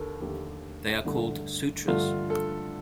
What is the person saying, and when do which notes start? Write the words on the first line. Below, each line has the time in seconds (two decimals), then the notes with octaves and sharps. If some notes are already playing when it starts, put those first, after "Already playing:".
They are called sutras.
Already playing: D#2 D3 A4 A#4
0.21 D#2 D3 A3 G4
1.04 G2 D3 A3
1.88 G2 D3 A3 F4
2.30 A4